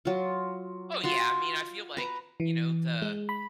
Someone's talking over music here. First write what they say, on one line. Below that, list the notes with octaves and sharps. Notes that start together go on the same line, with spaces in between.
Oh, yeah, I mean, I feel like, you know, the
F#3 F4
F4 F#4 C6
B4 A#5
E3
G#3
B5